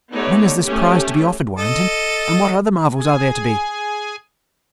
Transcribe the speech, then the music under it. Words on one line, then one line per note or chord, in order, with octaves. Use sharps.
"When is this prize to be offered, Warrenton, and what other marvels are there to be?"
A3 B3 D#4 G4 C#5 D5
A3 C#4 G4
A4 D#5
G#4 G#5